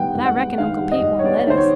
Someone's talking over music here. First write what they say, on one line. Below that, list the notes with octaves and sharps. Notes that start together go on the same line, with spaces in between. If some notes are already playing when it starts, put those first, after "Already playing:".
But I reckon Uncle Pete won' let us.
Already playing: G#2 D#3 G3 B3 F#5 G5
G#2
F#5
B3
D#3 F5
G3
D#5
G#2
C#5
B3 D5
D#3 C5
C#5